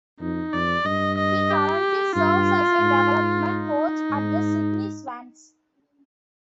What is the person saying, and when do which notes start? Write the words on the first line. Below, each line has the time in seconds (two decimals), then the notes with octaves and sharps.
He currently serves as a development coach at the Sydney Swans.
0.20 F2 D#4
0.53 F2 D5
0.85 G2 D#5
1.18 D#5
1.50 G4
2.15 G2 F4
2.80 G#2
3.45 D#4
4.10 G#2